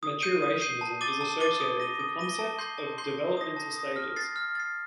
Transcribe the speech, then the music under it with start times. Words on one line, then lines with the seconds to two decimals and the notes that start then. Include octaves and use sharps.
Maturationism is associated with the concept of developmental stages.
0.03 D#6
0.22 G6 C7 D#7
0.42 D#6
0.62 G6 C7 D#7
0.81 A5
1.01 D6 A6 D#7 G7
1.21 A5
1.40 D6 A6 D#7 G7
1.60 D#6
1.80 A#6 D#7 G7
1.99 D#6
2.19 A#6 D#7 G7
2.39 A5
2.59 C6 G6 C7 G7
2.78 A5
2.98 C6 G6 C7 G7
3.17 A5
3.37 D#6 A#6
3.57 A5
3.76 D#6 A#6
3.96 F6
4.16 A6 C7
4.36 F6
4.55 A6 C7